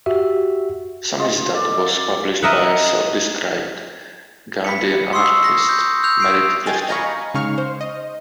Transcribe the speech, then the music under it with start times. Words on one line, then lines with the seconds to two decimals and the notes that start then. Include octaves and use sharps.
"Samisdat" was published by self-described "Gandhian anarchist" Merritt Clifton.
0.06 F#4 G4 E5
1.19 F4 D#5 F5
1.51 A4 D5
2.43 A#4 D#5 E5 F#5
4.64 B5 B6 C#7
5.13 C6 C#6 D#6 E6 C7
5.44 A#6
5.69 G6
6.03 E6 F#6 G6 F7
6.20 C7 D7
6.66 D#5 G5 G#5 G6 A6
6.89 D#5 F5 G#5 A#5 B5 C#6
7.34 C#3 G#3 D#4 F5 C#6 F6
7.58 C5
7.81 D#5